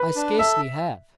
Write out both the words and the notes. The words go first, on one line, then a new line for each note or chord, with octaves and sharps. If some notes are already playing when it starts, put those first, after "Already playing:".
"I scarcely have."
Already playing: B4
D4
A4 E5